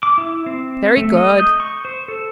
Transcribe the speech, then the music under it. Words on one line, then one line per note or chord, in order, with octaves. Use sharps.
Very good.
D6
E4
C4
A3
D#5
G6
C#6
C5
A4